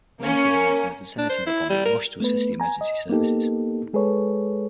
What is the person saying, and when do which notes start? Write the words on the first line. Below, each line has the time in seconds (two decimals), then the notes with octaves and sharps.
Many civilians in the vicinity of the bombing rushed to assist emergency services.
0.20 A#3 C#4
1.18 D4
1.30 C5
1.46 E4
1.70 G3
1.85 A#4
2.20 A3 B3 B4
2.60 G#5 A#5
2.81 D#5
3.10 A#3 B3 D#4 G4 A4
3.93 G#3 G#4 A4 B4 C#5